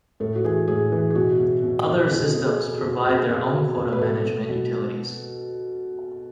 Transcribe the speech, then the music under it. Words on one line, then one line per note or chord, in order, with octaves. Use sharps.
Other systems provide their own quota management utilities.
A2 A4
F#4
E3 G#4
A2 G#4
E3
G#4
B2 F#4
B2
B2
B2
B2 G#4
A4
B2 G#4
G#4
B2
B2
F#4
B2 G#4
B2
B2
B2
B4
B2 A4
B2
B2